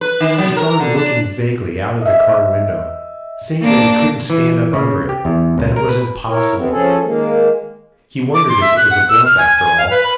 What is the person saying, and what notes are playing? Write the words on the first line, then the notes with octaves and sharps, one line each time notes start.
He saw him looking vaguely out of the car window--saying that he couldn't stand up under it--that it was 'impossible.' He wondered if it was a bluff, after all.
B4
D#3
F#3
A#4
D3
D4
D#5 E5
A#3 D4
E3
C#3
G4
E2
C#2
A#4
B4
E4 A#4 C#5
C3 B3 C4
F3 C#4 G#4 A4
D#3 G#3 A#3
D6
C6
E5
F#6
F#5
E6
F6
G#5
G#5
F5
B4
B5